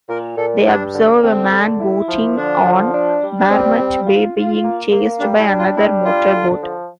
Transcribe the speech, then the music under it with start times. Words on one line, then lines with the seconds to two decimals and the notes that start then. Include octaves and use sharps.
They observe a man boating on Barmet Bay being chased by another motorboat.
0.08 A#2 A#4
0.37 A#2 A4
0.66 G2 D4
0.94 D3
1.22 D3 C4
1.51 D3
1.80 E4
2.08 F3
2.37 D3 D4
2.65 F3
2.93 D4
3.22 G3
3.39 D4
3.49 G3 C4
3.78 G3
4.07 F4
4.35 F4
4.64 A#3
4.92 A#3
5.19 G3 D4
5.39 E4
5.49 D4
5.58 F4
5.76 G3 E4
6.05 D4 F4
6.34 D3
6.62 F3